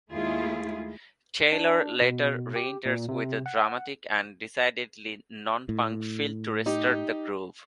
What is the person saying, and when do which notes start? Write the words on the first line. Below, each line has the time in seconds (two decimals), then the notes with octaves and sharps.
Taylor later re-enters with a dramatic and decidedly non-punk fill to restart the groove.
0.11 D#2 G#3 A3 E4 F4 G#4
1.53 D4
2.01 B2
2.56 G4
2.86 A#2
3.09 C3
3.46 F#5
5.69 A2
6.66 D#4 G4